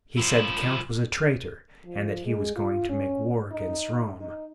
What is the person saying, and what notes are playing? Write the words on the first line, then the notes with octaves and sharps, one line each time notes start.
He said the count was a traitor, and that he was going to make war against Rome.
F3 E4
F3
G#3
F4
C#4
D#4
D#4